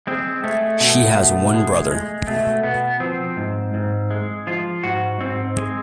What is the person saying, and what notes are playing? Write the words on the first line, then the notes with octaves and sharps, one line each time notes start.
She has one brother.
G#3 C4
G#3 A3
B2 A3
B2
G#3
G#3
B2 A3
B2 B3
F3 C4
G#2
G#2
G#3
F3 F4
G#2 F#4
G#2 C4
G#3